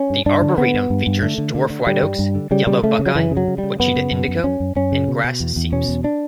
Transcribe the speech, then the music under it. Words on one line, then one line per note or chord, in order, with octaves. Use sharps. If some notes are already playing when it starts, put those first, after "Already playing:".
The arboretum features dwarf white oaks, yellow buckeye, Ouachita indigo, and grass seeps.
Already playing: C#4
G2
G2 D4
D3
D3 B3
G2
G2
G2
D3 A3
D3
D3
D3
D3 G3
G2
G2
D3
C#3 G3
C#3 G3
C#3 A3
C#3
F#3
F#2 E3
C#3
F#3
C#3
G3
C#3
F#2 B3
C#3
F#2
F#2
F#2 C#4
F#2
F#2 C#4
C#3
B2
B2
E2
E2
B2 C#4
E2
D4